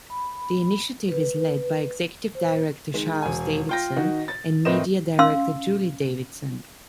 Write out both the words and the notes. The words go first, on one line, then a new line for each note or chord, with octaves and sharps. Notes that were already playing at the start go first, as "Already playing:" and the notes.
The initiative is led by Executive Director Charles Davidson and Media Director Julie Davidson.
B5
B4
C5
D#3 G#3
E1 G#5
F4 G5 A#6
D#3 D#4 F#4
A6
A2 C4 A#4 B4 D#5 E7
C#4 F5 C6 E6